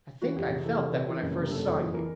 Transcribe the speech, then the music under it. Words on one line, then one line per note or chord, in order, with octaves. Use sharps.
I think I felt that when I first saw you.
E3 F#4
F2 G4
C3 G#4
E3 A4
G#4
C3 A4
C3 B4
E3 A#4
F#1
C3
A#4
F#1 A4
F2 A4
E3 G#4
E3 A#4